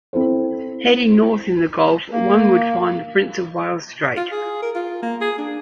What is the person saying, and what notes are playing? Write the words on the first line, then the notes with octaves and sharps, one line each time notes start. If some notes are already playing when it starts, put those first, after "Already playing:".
Heading north in the gulf one would find the Prince of Wales Strait.
C4 E4 A4 C5
A#3
F4
G#4
A#4
F4
A#3
G#4
D4